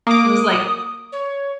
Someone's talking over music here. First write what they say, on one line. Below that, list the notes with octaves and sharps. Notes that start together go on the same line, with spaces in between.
It was like
A#3 D6 D#6
C#5